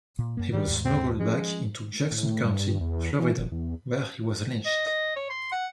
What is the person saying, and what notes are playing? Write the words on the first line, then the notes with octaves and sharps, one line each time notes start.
He was smuggled back into Jackson County, Florida, where he was lynched.
A#2
F#2 A#3
G2 D#3 G3
D#2 G#2
C4
F3 G#3 C#4
A2
G2
E2
E3
F1
E2
D#5
D#5
C#5
C6
F#5